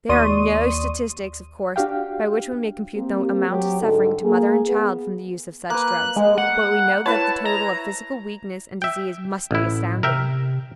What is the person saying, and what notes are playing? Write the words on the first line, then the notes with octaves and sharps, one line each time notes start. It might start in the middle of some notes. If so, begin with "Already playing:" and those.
There are no statistics, of course, by which we may compute the amount of suffering to mother and child from the use of such drugs, but we know that the total of physical weakness and disease must be astounding.
D#2 D5 C6 C#6 D#6 D#7
D4 F#4 G4 F5 G5
A#3 C4 G4
F#3 G4
G#2 D3 F#4 A4
A#3 G#4
B3 G#4
A#3 B4 F#6
G#3
F#5
E4 B4 C#5 A5
A#5
E5 G5
A1 A2 E4
C3 A#4 E5 G5